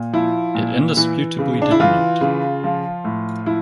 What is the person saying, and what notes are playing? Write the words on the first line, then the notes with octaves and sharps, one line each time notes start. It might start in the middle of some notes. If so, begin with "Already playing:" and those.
It indisputably did not.
Already playing: A#2
F3 E4
A#2
E3
C#3
D4
E4
E3 F4
C#3
F3
A2
F3 E4